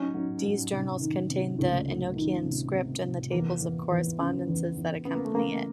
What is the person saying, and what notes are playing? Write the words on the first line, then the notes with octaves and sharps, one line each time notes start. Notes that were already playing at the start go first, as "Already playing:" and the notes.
Dee's journals contained the Enochian script, and the tables of correspondences that accompany it.
Already playing: F#3 C#4 D#4
F#3
F#3
C3
D#3
C3
C#2 A3
F#3
D#3
C3
C3
C3
E2 A#3
E2
E2
C#3
E2
E2
C#3 B3
A#3
A3
C#3 A#3